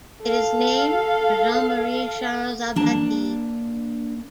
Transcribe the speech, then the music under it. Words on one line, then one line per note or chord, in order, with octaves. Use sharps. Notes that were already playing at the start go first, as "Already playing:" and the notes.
It is named for Jean Marie Charles Abadie.
A4 F5
A#3 D4 A5